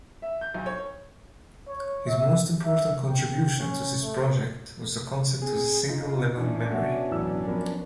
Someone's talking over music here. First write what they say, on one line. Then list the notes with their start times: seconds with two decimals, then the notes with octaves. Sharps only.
His most important contribution to this project was the concept of the single-level memory.
0.22 E5
0.41 G6
0.54 B1
0.66 C#5
1.68 C#5
2.08 E5
2.65 E5
3.10 G5
3.59 C#4
4.02 A3
5.42 C4 G#4
5.89 D#4 F4
6.37 E3 C#4 D4
6.70 B2 C#5 E5 F#5
7.11 A1 F#2 E6
7.47 F#2 F3 B3 A#4